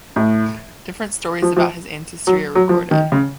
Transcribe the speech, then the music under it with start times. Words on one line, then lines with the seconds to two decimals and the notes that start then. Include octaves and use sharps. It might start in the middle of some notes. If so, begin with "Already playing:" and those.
Different stories about his ancestry are recorded.
0.16 A2
1.42 F3
1.57 F3
2.27 F#3
2.55 F#3
2.69 F3
2.91 D#3
3.12 C#3